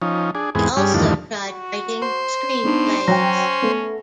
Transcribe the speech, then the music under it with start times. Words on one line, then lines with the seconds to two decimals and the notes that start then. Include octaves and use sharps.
He also tried writing screenplays.
0.02 F3 C#4 D#4
0.35 D4 G#4
0.55 E2 G#2 B3 C4 G#4
0.77 G2 G3 C#4 G#4
0.94 E2 G2 D3 D#3 F3 A3
1.45 F#4
2.02 C5
2.64 A2 B3 D4 D#4
3.08 F#3 C#4 G5 A#6
3.62 A3 B3